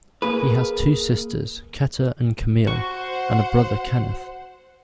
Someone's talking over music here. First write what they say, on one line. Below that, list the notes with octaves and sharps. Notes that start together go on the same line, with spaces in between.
He has two sisters, Keta and Camillie, and a brother, Kenneth.
A#3 G#4 B4
F#4 C5 F#5 C#6